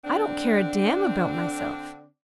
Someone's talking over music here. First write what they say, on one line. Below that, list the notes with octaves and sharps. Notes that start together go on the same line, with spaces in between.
I don't care a damn about myself.
D3 C4 D4